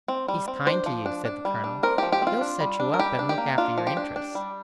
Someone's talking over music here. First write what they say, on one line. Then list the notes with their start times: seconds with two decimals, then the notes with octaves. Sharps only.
"He's kind to you," said the colonel; "he'll set you up and look after your interests."
0.08 C4
0.28 G3
0.48 C4
0.66 D4 C5
0.86 F3
1.06 D4
1.25 D4
1.45 G3
1.64 D4
1.83 C4 A#4
1.98 F3 G4
2.12 G4
2.22 C4 F4
2.41 D4
2.60 G3
2.80 D4
2.94 A#4
2.99 G3 G4
3.19 D4
3.29 G4
3.38 A#3
3.58 D4 F4
3.78 F3
3.87 G4
3.97 D4
4.16 D4
4.35 G3